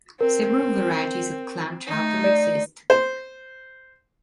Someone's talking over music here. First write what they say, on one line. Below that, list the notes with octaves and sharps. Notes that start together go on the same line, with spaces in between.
Several varieties of clam chowder exist.
C4 A#4
A3 D#4
D5
C5